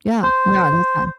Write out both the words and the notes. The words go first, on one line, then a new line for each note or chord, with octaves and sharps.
Yeah, no, that's fine.
C5